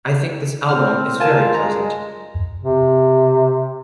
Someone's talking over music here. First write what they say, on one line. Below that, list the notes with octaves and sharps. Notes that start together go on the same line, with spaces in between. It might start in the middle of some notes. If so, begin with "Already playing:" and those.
I think this album is very pleasant.
C4 F6
F4 A#4 G#5 A5
G#3 A#5
C3